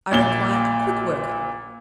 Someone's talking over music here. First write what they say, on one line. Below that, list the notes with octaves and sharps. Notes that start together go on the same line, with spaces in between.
I require a quick worker.
A#1 A#2 G7